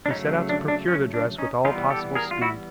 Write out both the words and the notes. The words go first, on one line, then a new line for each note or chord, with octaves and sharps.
He set out to procure the dress with all possible speed.
D4
C#3 F#3 A3 C#4 D#4
D4
D4
C#4
D4
C#4 D#4
E3 G3 B3 D#4 F4
G4 A4
G#4 A#4
F4
E4 F#4